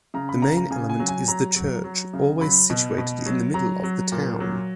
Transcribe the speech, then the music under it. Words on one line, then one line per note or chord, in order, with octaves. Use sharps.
The main element is the church, always situated in the middle of the town.
C#3 A#5
B5
C#3 A#5
A#5
C#3 G#5
G#5
F#3
G#5
F#3 A#5
F#3
F#3
C#3
F#3 B5
B2
B2
F#3
F#3 A#5
F#3
A#2
F#3